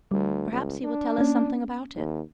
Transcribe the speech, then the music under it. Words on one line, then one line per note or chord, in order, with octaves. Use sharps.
"Perhaps he will tell us something about it."
D2 G3
C#2
D4
A#3 C#4
D#2